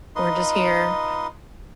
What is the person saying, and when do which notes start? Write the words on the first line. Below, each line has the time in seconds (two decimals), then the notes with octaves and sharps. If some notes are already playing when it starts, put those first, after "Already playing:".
We're just here."
0.16 D#4 F4 B4 D#5 C6